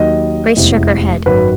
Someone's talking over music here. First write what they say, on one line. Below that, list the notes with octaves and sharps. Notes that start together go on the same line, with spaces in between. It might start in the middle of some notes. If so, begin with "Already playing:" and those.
Grace shook her head.
Already playing: D#2 D#3 F#3 D#5
F1 E2 C3 E3 G#3
G#1 F#2 D#3 F#3 B4